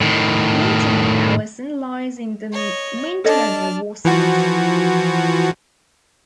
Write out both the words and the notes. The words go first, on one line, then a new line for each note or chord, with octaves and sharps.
Lieutenant Allison lies in the Minturno War Cemetery.
A2 D#3
C#5 D#5
D4 A4 C#5 D#5 A5 F6
E3 F3 F#4